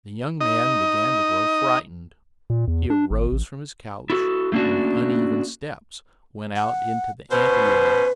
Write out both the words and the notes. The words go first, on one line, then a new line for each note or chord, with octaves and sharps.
The young man began to grow frightened; he arose from his couch, and with uneven steps went out into the anteroom.
D#4 D#5
A#2
E2
D4
G#1
A1
E4 F#4 A4
A3 A#3 C#4 D4 F#4
F#5
B2 C#4 B4 C5